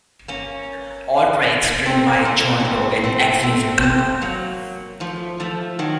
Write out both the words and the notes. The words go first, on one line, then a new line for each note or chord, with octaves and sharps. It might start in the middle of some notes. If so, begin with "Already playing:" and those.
All tracks written by John Doe and Exene Cervenka.
A#3 C#4
A3 C4
A3 C4
C#4
A3 C4
A3 C4
A3 C4
A3 C4
F#3 A#3
F3 A3
F3 A3
D#3 F#3